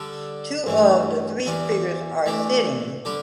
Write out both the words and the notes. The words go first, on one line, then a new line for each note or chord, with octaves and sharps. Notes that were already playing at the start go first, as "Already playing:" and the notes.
Two of the three figures are sitting.
Already playing: D3 G3 D4 A4
G2 E3 A3
E2 E3 G3 D4
E3 A3 D4 G4
D3 G3 D4 G4